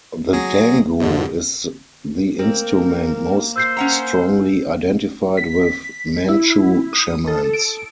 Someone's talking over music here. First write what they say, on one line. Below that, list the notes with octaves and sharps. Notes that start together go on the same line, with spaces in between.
The "dangu" is the instrument most strongly identified with Manchu shamans.
F#3 G#4 A#6
F2 G#2 D3
A#3 C4 A#4
C5 E6 G6 C7
C#4 F#5 A#5
B6
E4
D#6
A4
D7